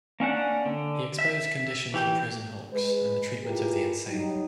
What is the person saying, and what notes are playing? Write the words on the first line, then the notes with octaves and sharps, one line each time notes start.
He exposed conditions in prison hulks and the treatment of the insane.
A#3 C#4 D4 F#5
D3
E5
E3 G4
G#3 B4
E4 F4 G4 G#4 A#4 B4
F#3 G3 D#4